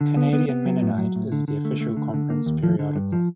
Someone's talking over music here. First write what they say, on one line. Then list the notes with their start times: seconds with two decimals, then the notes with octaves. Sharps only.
"Canadian Mennonite" is the official conference periodical.
0.01 D3
0.17 B3
0.33 B3
0.49 B3
0.65 F#3
0.83 A2
0.98 F#3
1.16 A2
1.32 D3
1.48 D3
1.65 A3
1.80 A3
1.97 D3
2.14 D3
2.30 A#3
2.46 D#2
2.63 F3
2.79 D3
2.95 G2
3.12 F3